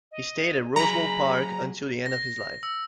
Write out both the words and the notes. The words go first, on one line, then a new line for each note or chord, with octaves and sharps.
He stayed at Roswell Park until the end of his life.
D#5
F#3 G#4 A#5 B5
A#6
E6